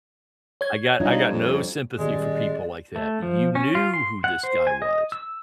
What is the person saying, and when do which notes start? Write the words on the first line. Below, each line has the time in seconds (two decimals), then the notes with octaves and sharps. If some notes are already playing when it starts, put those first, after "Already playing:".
I got I got no sympathy for people like that. You knew who this guy was.
0.61 C#5 G#6
1.00 G3 D4 D#4 F4
1.30 F2
1.98 D#1 G3 G#3 D5
2.96 A3
3.22 F3
3.55 C#4
3.75 F4
3.94 C6
4.24 F#5
4.44 C5
4.67 G#5
4.82 D#5
5.12 E6